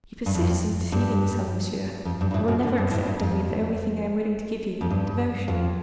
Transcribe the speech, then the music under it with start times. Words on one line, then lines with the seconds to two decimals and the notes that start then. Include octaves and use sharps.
"You persist in deceiving yourself, monsieur, and will never accept of me the only thing I am willing to give you--devotion."
0.26 G2
0.35 F2
0.92 G2
2.05 F2
2.21 G2
2.31 G2
2.34 A2
2.48 B2
2.63 D3
2.78 G2
2.91 A2
3.06 G2
3.19 F2
4.81 F2
4.91 G2
5.48 F2